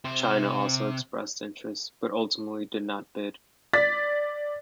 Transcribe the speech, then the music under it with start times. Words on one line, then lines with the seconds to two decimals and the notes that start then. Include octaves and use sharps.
China also expressed interest, but ultimately did not bid.
0.04 C3 C5
3.73 D5 A6 B6